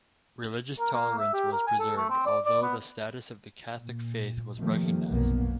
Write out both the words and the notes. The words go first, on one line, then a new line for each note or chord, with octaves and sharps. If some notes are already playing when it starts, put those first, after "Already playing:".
Religious tolerance was preserved, although the status of the Catholic faith was recognized.
A#4
A#3
E5
G4
A#4
G#5
A4
A3
C4
D5
D5
B3
A#2
C3 D#3 F3 G3 A3 A#3
F1 B1 F#2 F#3 A#3 B3